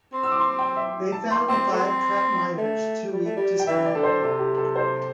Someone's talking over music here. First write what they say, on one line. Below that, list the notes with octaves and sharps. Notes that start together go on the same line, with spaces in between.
They found the five trapped miners too weak to stand.
C4
E6
D6
C6
G5
E5
A5
C6
C4 G5
A3
C4
A3
G3
A3
G3
G5
E3 E5
D5
D3 A4
C5
C3 A4
G4
A4
C5